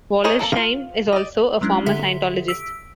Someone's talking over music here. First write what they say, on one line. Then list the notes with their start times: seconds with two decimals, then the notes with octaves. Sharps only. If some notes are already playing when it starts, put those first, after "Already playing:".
Wollersheim is also a former Scientologist.
0.24 C#4 A#4 C5 C#5 D#5
0.39 A#3 A4 D5 A#5
0.52 F4 F5
1.13 D5 D#5
1.61 F#3 G#3 C#4 D4 E4
1.86 D3 G4 A4 E5 B6 G7
2.48 E6 B6 D7